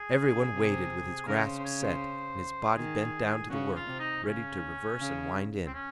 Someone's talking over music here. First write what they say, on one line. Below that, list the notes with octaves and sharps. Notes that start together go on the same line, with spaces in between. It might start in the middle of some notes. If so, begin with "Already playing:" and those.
Every one waited with his grasp set, and his body bent down to the work, ready to reverse and wind in.
Already playing: G#4
C#3
C3
C#3 A#4
C5
C5
C#5
C5
D#3 G#4
C#3 F#4
F4
C3
D#4
C#3 C#4
C#3
C4
C#4